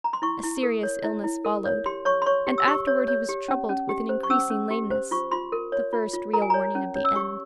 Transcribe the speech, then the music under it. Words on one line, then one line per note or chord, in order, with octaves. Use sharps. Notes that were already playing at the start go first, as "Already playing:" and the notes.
A serious illness followed, and afterward he was troubled with an increasing lameness--the first real warning of the end.
A#5
C6
E4 C#6
E4
A#4
C#5
E4
E4
A#4
C#5
G4 C6
C#5 C#6
C6
C#5 C#6
G4
E6
G4 C#6
C#5
C#5
G4
C#4
C#4
G4
C5
C#6
C#4 E6
C#4
G4
C5
F4 C#6
F4 C6
A#4
C#5
F4
F4
A#4 A#5
G#5
C#5 A#5
C#4
C#5
E6
G4 C#6